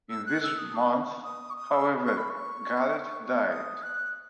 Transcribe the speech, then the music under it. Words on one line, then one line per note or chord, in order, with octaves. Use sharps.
In this month, however, Garrett died.
E6
F#6
E6
D#6
C#6
D#6
C#6
D#6
E6
C#6
B5
C#6
D#6
F#6